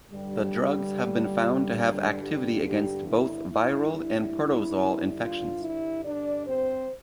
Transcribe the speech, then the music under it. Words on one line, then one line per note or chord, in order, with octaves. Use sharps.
The drugs have been found to have activity against both viral and protozoal infections.
G2 D3 G3
G3 G4
G3 G4
E4
G2 D3 G3 D4 E4
F4
E4
D4 D5
C4 C5